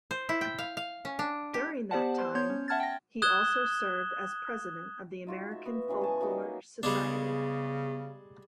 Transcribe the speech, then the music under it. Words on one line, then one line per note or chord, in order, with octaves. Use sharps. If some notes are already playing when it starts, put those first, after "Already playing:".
During that time, he also served as president of the American Folklore Society.
C5
E4
G5
F5
F5
C#4
D4
G4
B3 G4 C5 D5 F#5 A5
C5 C6
B3 C#5 C6 G6 G#6
C#4
E5 F#5 A5 F6 G#6 A6
G5 A#6
D#6 F#6 G#6 E7 G7
D#4 F4 F#4
E5
B3 F#4
C#3 E3 F#3 G#3
G#4 A5 C#6
F#3 A#3 D#4
C#3 G3 G#3 B3 D4